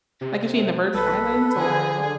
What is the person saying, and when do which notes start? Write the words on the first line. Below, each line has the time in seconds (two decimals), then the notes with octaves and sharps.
Like is she in The Virgin Islands or
0.21 C3
0.94 B1 A4 B4
1.56 D3 G#4 G#5